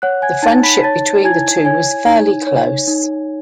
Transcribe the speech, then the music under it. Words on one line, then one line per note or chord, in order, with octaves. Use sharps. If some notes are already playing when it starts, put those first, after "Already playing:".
The friendship between the two was fairly close.
C#5 F#5 F#6
G#5 G#6
D#4 A5 A6
B5 B6
C#5 A5 A6
E4 G#5 G#6
C#5 G#5 G#6
D#4
C#5
D#4